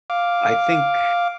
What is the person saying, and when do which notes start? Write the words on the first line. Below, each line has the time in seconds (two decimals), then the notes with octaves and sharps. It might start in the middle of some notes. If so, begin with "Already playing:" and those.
I think,
0.10 F5 D6